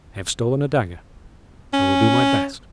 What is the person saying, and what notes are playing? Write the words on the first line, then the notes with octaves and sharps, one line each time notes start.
I have stolen a dagger--I will do my best!
C#4